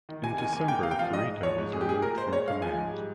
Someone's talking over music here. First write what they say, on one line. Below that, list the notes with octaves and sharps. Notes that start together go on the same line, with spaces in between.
In December, Kurita was removed from command.
D#3
C3 G#5
D#3 G#5
A#3 G#5
A#3 G5
C3 F5
G5
F3 F5
G#2 D#5
G#2
F3 C#5
G#2
A#2 G#4
G4
A#2 G#4
A#2 A#4
G#3 C5
G#3 C#5
G#3 F5
F3 G#5
G#2
G3